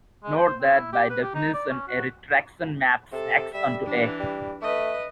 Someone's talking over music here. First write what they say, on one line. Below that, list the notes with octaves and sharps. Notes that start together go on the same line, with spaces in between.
Note that, by definition, a retraction maps "X" onto "A".
G#3
C5
C4
E4
G4
B4
G4
D#4
D5
C#4
F#4
C3 A4
G3 E5
E3 D4
G3
A3 B4 D#5